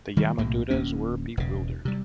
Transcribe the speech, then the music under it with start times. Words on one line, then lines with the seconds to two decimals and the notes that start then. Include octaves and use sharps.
The Yamadutas were bewildered.
0.17 D#3 G3 G#3
0.38 B1 A2 C3 A#3
0.70 D1 D2 A#3 C#4
1.37 E1 C#3
1.85 C3 G3